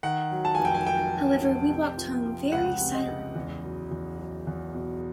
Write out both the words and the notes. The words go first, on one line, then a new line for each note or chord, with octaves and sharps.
However, we walked home very silently.
D#3 F#5
F#3
A5
F1 G#5
G5
G#5
F#3 G5
F#3
F1
C3
F3
F3
C#2 F#5
C3
D#5
C#2
E2
F#3
E2
F#3
E2
B2